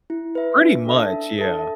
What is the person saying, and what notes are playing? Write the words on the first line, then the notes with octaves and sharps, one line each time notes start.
pretty much, yeah.
E4
B4 E5
D4
A4 E5 A5
D4
A4 E5 A5